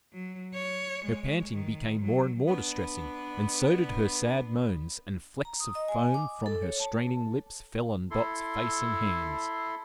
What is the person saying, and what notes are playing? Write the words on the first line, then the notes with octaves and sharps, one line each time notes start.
Her panting became more and more distressing, and so did her sad moans; and flecks of foam from her straining lips fell on Dot's face and hands.
F#3
C#5
G#3
D#3
F#3
B3 D4
A#5
D#6
D#5
G#5
D6
A4
C#5
A5
E4 A4 C6